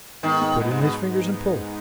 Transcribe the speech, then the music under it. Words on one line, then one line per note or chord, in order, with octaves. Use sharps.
He put in his fingers and pulled.
G#2 D#3 G#3 B3 D#4
B2
G#2
B2